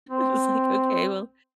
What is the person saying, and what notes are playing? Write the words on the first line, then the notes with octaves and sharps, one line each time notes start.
I was like, “Okay, well.”
C4